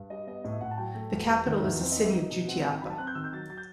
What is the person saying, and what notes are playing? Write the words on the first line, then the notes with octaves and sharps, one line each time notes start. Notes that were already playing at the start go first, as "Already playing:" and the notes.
The capital is the city of Jutiapa.
Already playing: G2
G3 D#5
B3 D#5
A2 D#5
E5
A2 F#5
A5
F#3 G5
A3
E2
G3
D#3 E5
E2 E5
C4 C5
D#5
D#4
E5
D#4
B2
C4 F#5
D#3 G5
F#3 B5
A5
C4 F#6
G6
D#3 E6
G6
F#3 A6
F#3 A6
G6